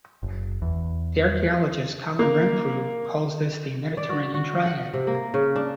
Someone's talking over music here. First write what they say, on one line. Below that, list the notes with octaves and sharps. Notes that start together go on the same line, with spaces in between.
The archaeologist Colin Renfrew calls this the "Mediterranean triad".
F#1
E2
A#3
D5
F#4
F#4
F#5
C3
A#3
C#3
D4